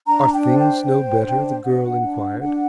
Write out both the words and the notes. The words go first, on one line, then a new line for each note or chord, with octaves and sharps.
'Are things no better?' the girl inquired.
D4 A#5
G5
C5
G5
C5
D4
D4 F#5
D4
D4 F#5